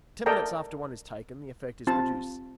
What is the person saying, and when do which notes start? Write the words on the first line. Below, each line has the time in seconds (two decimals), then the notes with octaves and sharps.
Ten minutes after one is taken, the effect is produced.
0.26 A4 A#4 D5 D#5 G5 A#5
1.87 C4 F4 A5